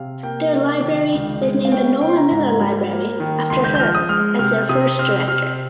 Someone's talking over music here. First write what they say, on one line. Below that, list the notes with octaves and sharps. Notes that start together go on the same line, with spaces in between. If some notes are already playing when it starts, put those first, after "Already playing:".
Their library is named the Nola Millar Library after her as their first director.
Already playing: C3 F5
A#3 G5
C3
D#3
C#2
G#3
F5
C#4 G5
F5
C#3 G5
C6
A#5
G#2 A#5
G3
A#3
D#3
C#2 C6
G6
G6
F3 F6
D#6
G#3 F6
C3 F6
C3 D#6
C4 F6
C3 F6